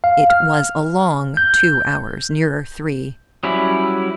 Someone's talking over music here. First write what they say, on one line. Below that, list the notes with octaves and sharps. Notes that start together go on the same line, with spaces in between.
It was a long two hours, nearer three.
F5
F6
G6
F#3 G3 C#4 E4